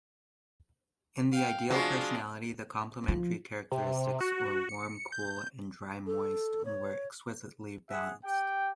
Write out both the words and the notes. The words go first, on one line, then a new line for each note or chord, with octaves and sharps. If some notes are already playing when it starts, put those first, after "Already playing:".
In the ideal personality, the complementary characteristics or warm-cool and dry-moist were exquisitely balanced.
F5 G5
F3 G#3 D4 F4 F#4
F3
C3
F#4
C#7
G6
A4
C#5
G#4 E5 F#5
G4 G5